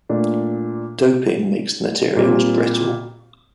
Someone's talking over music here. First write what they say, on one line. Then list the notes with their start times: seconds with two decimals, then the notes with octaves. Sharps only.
Doping makes the materials brittle.
0.09 A#2 A3 D4
2.16 A#2 G3 C4